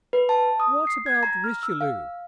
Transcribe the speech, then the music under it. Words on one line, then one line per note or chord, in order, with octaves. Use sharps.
"What about Richelieu?"
B4
A5
D#6
C7
G#6
A#5
F6
E6
F5